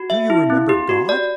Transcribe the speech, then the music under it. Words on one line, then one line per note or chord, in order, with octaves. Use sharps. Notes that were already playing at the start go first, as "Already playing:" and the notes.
Do you remember God?
Already playing: F#4
E5
E4
C4
G4
F#4
D5